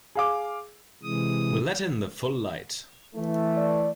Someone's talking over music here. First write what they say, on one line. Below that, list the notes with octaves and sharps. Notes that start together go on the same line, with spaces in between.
We'll let in the full light.
G#4 F5 D6
C3 E3 G#3 D#6
E3 A3
D5